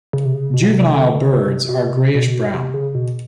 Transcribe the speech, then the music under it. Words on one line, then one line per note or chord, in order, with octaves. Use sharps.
Juvenile birds are greyish brown.
C#3
C3
C#3
B2
C3
D3
C3
B2
C3
B2
C3
C#3
B2